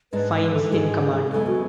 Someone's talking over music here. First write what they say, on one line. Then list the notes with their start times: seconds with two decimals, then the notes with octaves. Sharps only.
Fines in command.
0.13 G#2 G#3 D4 B4
0.33 B4
0.52 A4
0.72 G#2 G#3 D4 G#4
1.32 F#2 C#3 G#3 B3 A4
1.47 F#4